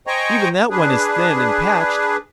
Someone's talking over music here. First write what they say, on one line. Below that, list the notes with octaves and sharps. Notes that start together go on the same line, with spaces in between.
Even that one is thin and patched.
C5 D#5 G5 G#5 A#5 C#6
D4 G#4 B4